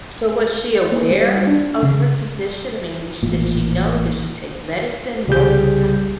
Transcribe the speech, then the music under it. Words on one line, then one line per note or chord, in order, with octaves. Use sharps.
So was she aware of her condition? I mean, at least, did she know? Did she take medicine? What ha
A#3
G3
D4
C#3
A1 A#2
C2 C#3 G3 G4 G#4 G6